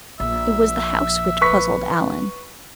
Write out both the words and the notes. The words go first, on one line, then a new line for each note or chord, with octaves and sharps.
It was the house which puzzled Alan.
A#1 E5
B4 C#6 B6